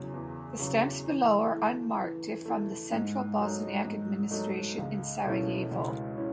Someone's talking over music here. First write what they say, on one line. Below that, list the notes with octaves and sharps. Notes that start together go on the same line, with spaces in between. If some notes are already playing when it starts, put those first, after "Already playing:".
The stamps below are unmarked if from the central Bosniak administration in Sarajevo.
Already playing: E2 C#3 F#3
E2
C#3 F#3
E3
A3 E4
E3
A3 E4
G#2
F#3 A3 D#4
G#2
F#3 A3 D#4
C#2
B2 A3 C#4 E4
C#2
C#4 E4